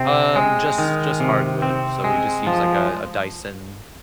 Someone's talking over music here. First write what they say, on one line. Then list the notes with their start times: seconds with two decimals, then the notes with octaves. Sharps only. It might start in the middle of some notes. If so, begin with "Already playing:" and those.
Um, just just hardwood, so, we just use, like, a a Dyson,
Already playing: C3 C4
0.36 G#3
0.78 D#3
1.20 C3
1.62 C4
2.04 G#3
2.47 F3